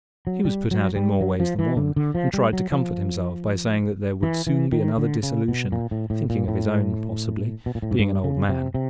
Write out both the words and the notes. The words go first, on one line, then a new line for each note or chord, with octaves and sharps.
He was put out in more ways than one, and tried to comfort himself by saying that there would soon be another dissolution--thinking of his own, possibly, being an old man.
F#3
G3
F#3
G3
F#3
F3
E3
D3
D3
F3
G3
F#3
F3
E3
E3
D#3
D3
C#3
B2
A#2
A2
A2
A#2
A2
B2
A#2
A2
G#2
G2
C#3
C3
C3